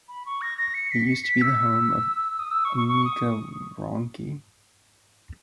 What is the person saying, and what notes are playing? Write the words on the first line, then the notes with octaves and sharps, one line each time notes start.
It used to be the home of Amica Wronki.
B5
C#6
A#6
A#6
C#7
B6
C#7
B6
E6
D#6
E6
C#6
C#6
C#6
D#6